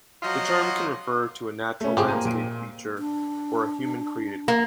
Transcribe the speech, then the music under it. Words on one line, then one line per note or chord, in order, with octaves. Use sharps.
The term can refer to a natural landscape feature or a human-created one.
F3 F#3 F4 F#4 D#5
A3 C#4
A2 C3 F3 G4 G#4
A#3 A#5 D#7
A#2 D7 D#7
D4
A#3